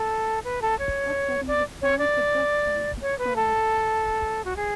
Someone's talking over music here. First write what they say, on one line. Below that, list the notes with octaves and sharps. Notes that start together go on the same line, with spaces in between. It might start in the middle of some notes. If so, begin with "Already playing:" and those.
"But that is a fine suggestion," he cried.
Already playing: A4
B4
A4
C#5
D5
C#5
D5
C#5
B4
A4
F#4
G#4